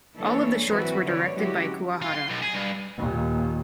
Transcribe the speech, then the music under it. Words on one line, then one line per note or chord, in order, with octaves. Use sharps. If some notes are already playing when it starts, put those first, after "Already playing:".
All of the shorts were directed by Kuwahara.
E3 A#3 D4 G#4 A4 C#5
E3 F#3 C4 F#4 B4 E5
D3 B4 C#5 D5
F#3 G#3 C#4 E4 F#4 G4
F4
C6
B1
G#4
G2
D#2 A#2